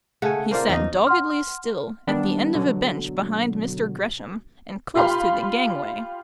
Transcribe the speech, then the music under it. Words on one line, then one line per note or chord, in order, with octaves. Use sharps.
He sat doggedly still, at the end of a bench behind Mr. Gresham, and close to the gangway.
C#3 A3 F#5 G#5
A#3 F4 A#4 C5 D5
E2 D#4 D#5
F#5 C6 F6
D#3 G3 B3 D4
B2 D3 F#3
F4 G4 F5 B5 C6